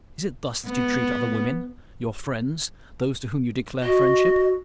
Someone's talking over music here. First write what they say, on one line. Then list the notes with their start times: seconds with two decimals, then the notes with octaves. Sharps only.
Is it thus that you treat other women--your friends, those to whom you declare friendship?
0.68 B3
3.82 F#4 D#5